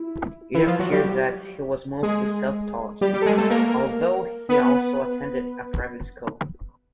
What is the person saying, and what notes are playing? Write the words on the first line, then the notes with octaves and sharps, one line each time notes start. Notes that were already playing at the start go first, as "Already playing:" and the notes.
It appears that he was mostly self-taught, although he also attended a private school.
Already playing: E4
E3 E4
F3 F4
F#3 F#4
G3 G4
G#3 G#4
G3 G4
G3 G4
A4
G#3 G#4
A3 A4
A#3 A#4
B3 B4